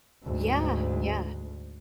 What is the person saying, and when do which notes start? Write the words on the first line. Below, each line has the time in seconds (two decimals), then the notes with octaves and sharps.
Yeah, yeah,
0.23 D2 G#2